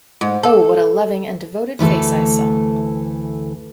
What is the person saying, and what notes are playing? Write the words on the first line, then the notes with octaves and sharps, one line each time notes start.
Oh, what a loving and devoted face I saw!
G#2
A4
D2 E3 A3 A4